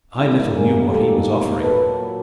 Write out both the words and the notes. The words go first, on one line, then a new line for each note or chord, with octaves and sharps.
I little knew what he was offering.
G#2 D#3 G3 A#3 D4 E4
G#4 A#4
G4 A4
A#2 F#3 A#3 A4 B4